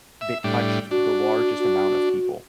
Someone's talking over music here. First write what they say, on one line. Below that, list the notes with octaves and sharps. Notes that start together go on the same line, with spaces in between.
that touched the largest amount of people,
E5
A2 G3 D4
D4 F#4
F#4